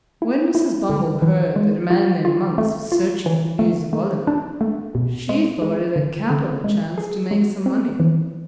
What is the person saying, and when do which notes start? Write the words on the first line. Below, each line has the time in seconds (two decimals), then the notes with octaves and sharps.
When Mrs. Bumble heard that a man named Monks was searching for news of Oliver, she thought it a capital chance to make some money.
0.22 E4
0.55 E4
0.90 D3
1.22 E3
1.56 G#3
1.90 F4
2.25 F4
2.58 A3
2.92 F4
3.26 E3
3.59 A3
3.93 A3
4.27 D4
4.61 A3
4.95 B2
5.29 G#3
5.62 G#3
5.96 D3
6.30 D3
6.64 G#3
6.98 G#4
7.31 G#3
7.66 C4
8.00 E3